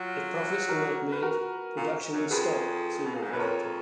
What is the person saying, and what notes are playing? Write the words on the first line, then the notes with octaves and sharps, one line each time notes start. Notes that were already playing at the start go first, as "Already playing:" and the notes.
If profits were not made, production would stop sooner or later.
Already playing: F#3 F4
F#4 A#4
B4
F#4 A#4
A#2
F#2
F2 G#4 B4
B2
A#2
G#2
F#2 B4
F2 A#4 C#5